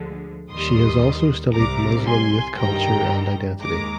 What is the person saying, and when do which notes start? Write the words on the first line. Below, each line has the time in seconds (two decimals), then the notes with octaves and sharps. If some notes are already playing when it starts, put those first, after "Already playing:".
She has also studied Muslim youth culture and identity.
Already playing: D2 D3 F3 G#3
0.50 D#2 D#3 G3 C6 D#6
1.54 C2 C3 G3 A#5 D6
2.06 G#5 C6
2.58 G2 D#3 G3 G5 A#5
3.62 D#2 D#3 G#3 A#5 D6